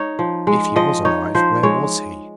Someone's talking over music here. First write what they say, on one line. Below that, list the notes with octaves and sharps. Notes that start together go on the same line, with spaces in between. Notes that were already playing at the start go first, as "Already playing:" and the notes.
If he was alive, where was he?
Already playing: D#4 C#5
F3
G#3
F3 D#5
D#4 C#5
F3 C5
G#3 C#5